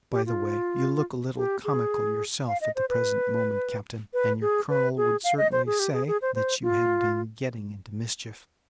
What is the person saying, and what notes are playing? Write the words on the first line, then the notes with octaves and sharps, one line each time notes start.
By the way, you look a little comical yourself at the present moment, captain, and your colonel would certainly say that you had been getting into mischief.
G4
F4
G4
G#4
F5
D#5
C5
B4
B4
G#4
B4
G#4
F5
D#5
C5
G#4
G4
G#4
G#4
C5
C5
F4